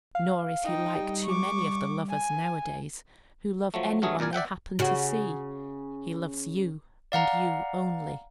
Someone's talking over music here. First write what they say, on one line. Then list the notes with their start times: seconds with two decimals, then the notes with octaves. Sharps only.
Nor is he like too many of the lovers nowadays, who love any one they happen to see; he loves you, and you only.
0.15 F5
0.64 D#4 G5
0.96 G3
1.25 C#6 D6
2.09 G#5
3.74 F3 F#3 A3
4.02 G2 F#3 A3 G#4
4.19 C2 A#2 A#4 D5 G#5
4.33 D5 E5 F#5 G5
4.79 C#3 F#4
7.12 D5 F5 F#5 A#5